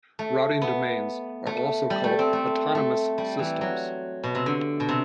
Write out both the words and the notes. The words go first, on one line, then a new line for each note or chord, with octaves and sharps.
Routing domains are also called autonomous systems.
A3
B3
A3
G3
A3
C4
A3
A3
G3
E3
F#3
B2
C3
D3
B2
C3